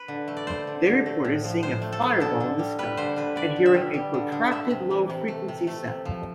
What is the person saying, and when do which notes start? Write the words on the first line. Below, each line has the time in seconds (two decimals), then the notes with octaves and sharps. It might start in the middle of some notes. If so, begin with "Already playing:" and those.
They reported seeing a fireball in the sky and hearing a protracted low-frequency sound.
Already playing: B4
0.08 D3
0.28 A3
0.37 D5
0.47 A3 C5
0.67 D3
0.86 D3
1.06 A3
1.25 A2
1.44 F3
1.63 A2 C5
1.82 A3
1.92 A4
2.01 A2
2.20 D3 A4
2.40 D3
2.59 G3
2.79 G3 B4
2.97 D3 C5
3.16 D3 B4
3.36 D3 D5
3.56 D3
3.66 E5
3.74 G3
3.94 G3
4.14 D3
4.32 D3
4.51 A3 E5
4.71 C3
4.90 E3
5.10 C3
5.28 A3
5.48 C3
5.67 A3
5.87 C3
6.05 F3